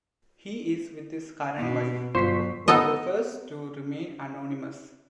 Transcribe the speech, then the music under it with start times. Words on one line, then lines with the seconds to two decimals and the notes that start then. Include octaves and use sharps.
He is with his current wife, who prefers to remain anonymous.
1.58 B2
2.15 G1 F#3 F4 C5 C#6 B6 C7
2.68 B3 D#4 A4 D#5